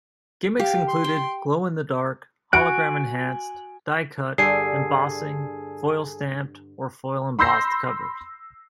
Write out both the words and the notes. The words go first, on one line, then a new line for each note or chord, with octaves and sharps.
Gimmicks included glow-in-the-dark, hologram-enhanced, die-cut, embossing, foil stamped or foil-embossed covers.
G4 F5
C6
G5
F#4 G#5 F#6 D7
G2 D3 G#4 A4 G#5 C7
B5 C6 E6 G6 A#6 C7